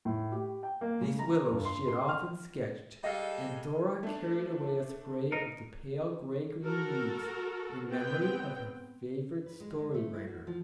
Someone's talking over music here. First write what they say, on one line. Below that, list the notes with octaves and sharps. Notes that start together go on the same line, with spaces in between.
These willows she had often sketched, and Dora carried away a spray of the pale gray-green leaves, in memory of her favourite story-writer.
A2
G4
G5
A#3
C#3
A#5
G2
C6
C6
F6
G3 G#3 A4 D#5 F5
A3 D4
D#4 A#4
F#4 A4 A#4
B3 C4 G5
B4
G#3
G#3
A3
E4
F#4
F3